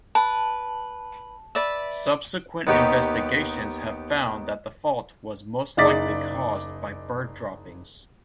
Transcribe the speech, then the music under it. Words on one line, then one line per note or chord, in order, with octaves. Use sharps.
Subsequent investigations have found that the fault was most likely caused by bird droppings.
B4 A5
B4 D5 E5
D#2 B3 D#4 G4 C#6
F#1 D#4 G#4 D5 A6 B6